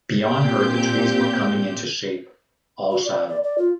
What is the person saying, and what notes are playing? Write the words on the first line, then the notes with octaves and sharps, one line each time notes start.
Beyond her the trees were coming into shape, all shadow.
A#2 C4 G4 G6
F#4
D5
D5
D5
F4